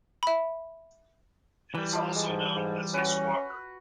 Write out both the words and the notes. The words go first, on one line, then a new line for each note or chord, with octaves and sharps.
It is also known as a squawker.
E5 B5
E3 G3 A#5 B5
F3 D6
G#3
G#2
G#2
C#4 F#4 B4